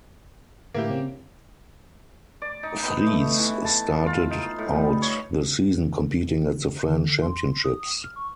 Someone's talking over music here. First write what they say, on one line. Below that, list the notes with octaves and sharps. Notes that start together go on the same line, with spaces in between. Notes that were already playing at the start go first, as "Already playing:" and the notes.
Friess started out the season competing at the French Championships.
A2 D3 A#3 E4 G4
C#3 C4 C#4
D5
D#4
B3
A3
E3
A5
F4
D#4
A2
G3
C#5
D3
C6
D#6
F6
C#6